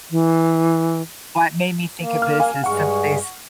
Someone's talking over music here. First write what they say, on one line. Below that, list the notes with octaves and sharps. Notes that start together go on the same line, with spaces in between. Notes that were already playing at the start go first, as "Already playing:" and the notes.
what made me think of this is some place
E3
A#3
F6
F5 G#5
G2 G#3 F#5 C#6